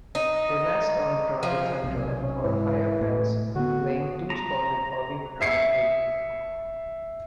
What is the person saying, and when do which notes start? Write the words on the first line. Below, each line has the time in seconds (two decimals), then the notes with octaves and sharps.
They nest on dry tundra or higher fells laying two spotted olive-brown eggs.
0.15 D#4
1.43 F3
1.84 B1 C3
2.22 C#4
2.44 G#2 E3
3.01 A2
3.55 D3 B3 F#4
4.30 A#5
5.41 E5 C7 C#7